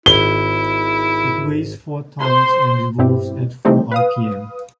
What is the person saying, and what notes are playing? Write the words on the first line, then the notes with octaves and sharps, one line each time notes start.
It weighs four tons and revolves at four rpm.
G#1 E4 G7
C5 C6
G2 B2 C4 E4 G4
E3 G3 A3 C4 D#4 G4
B4 F5 D#6